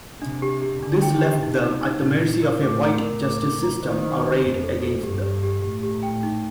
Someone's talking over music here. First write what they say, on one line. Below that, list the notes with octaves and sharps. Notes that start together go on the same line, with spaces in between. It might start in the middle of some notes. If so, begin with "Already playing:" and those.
This left them at the mercy of a white justice system arrayed against them.
C3 D4
G4
G4
D3 D4
G5
G4
C3 D#4
D#4
D#4
A#2 D#4
D#4
A#4
A2 D6
A#5
A#4
A2 D6
D6
A#5
D#3 C5
C5
D4
F2 C5
A4
A4
G2 G4
G4
G4
A2 G4
G4
G5
D#4